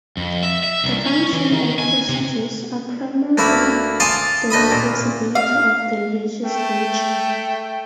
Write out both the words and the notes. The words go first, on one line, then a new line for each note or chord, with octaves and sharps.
The function and procedures are primarily the responsibility of the legislature.
F2
E5
E5
C2
C#4
E3
D#3
G#5
C3
D2 A#3 E4 B5
D5 F5 G#5 A5 C6 D#6
D2 D#5 B5 D#6
A#2
F5
A3 G5